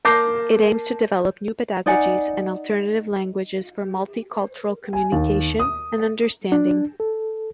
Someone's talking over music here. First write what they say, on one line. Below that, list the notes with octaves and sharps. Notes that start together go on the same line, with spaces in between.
It aims to develop new pedagogies and alternative languages for multi-cultural communication and understanding.
A#3 A5 D6 G6 A#6 C7
D#4 D5 F#5 G#5
G#5
D#2
D#6
D4
A4